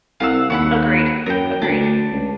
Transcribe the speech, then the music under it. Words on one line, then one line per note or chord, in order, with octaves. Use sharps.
Agreed. Agreed.
C2 F5 F#5 E6
D#2 F#4 F#5 B5
F#2 A#4 G5
D2 D4
C#2